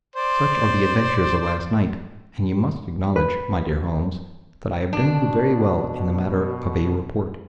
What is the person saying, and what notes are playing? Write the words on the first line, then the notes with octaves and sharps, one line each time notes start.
Such are the adventures of last night, and you must acknowledge, my dear Holmes, that I have done you very well in the matter of a report.
C5 D5
B4
B2 D4